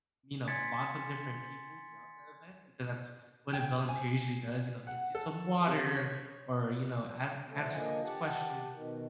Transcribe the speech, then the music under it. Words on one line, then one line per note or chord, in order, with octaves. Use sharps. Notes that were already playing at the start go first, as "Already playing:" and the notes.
you know, lots of different people throughout the event because that's what a volunteer usually does, you know, gets you some water or, you know, ans answers people's questions,
G#5 C6 G#6 A6 B6 C#7
G5
G#5
F#5
A4
C3
C#5
A2 D3 F3 A3 A4
F3 A#3 D4 D#5 G#5
G4 F#5 A5
B2 D#3